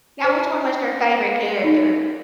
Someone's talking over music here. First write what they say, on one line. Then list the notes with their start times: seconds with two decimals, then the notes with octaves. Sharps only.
Now which one was your favorite character?
0.24 C5
1.64 D#4